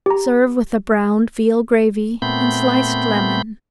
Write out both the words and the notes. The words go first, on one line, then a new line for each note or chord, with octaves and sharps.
Serve with a browned veal gravy and sliced lemon.
G4 A#5
A#2 A3 B3 C4 B5 G6